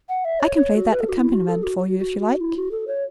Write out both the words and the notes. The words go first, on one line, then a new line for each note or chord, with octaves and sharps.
I can play that accompaniment for you if you like.
F#5
E5
C#5
C#5
F#4
B4
A4
F#4
E4
F#4
A4
F#4
F#4
F#4
F#4
E4
F#4
A4
C#5